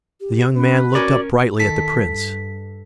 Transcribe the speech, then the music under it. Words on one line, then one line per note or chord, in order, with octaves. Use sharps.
The young man looked up brightly at the Prince.
G4
C#4 B4
C#4 F#4 A#4 D5
D#3 A4 B6
G2